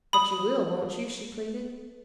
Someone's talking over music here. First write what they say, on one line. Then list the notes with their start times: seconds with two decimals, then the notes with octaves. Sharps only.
"But you will, won't you?" she pleaded.
0.13 B5 D#6